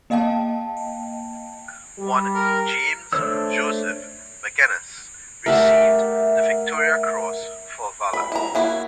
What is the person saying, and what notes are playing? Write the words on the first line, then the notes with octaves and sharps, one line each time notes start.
One, James Joseph Magennis, received the Victoria Cross for valour.
A#3 D#5 F5 G5 A5
G3
A#4
A3 D4 C5 C#5 E6
A3 G4 A#4 D5 E5 F#5
B5
E4 A#5
A#3 E4 F#4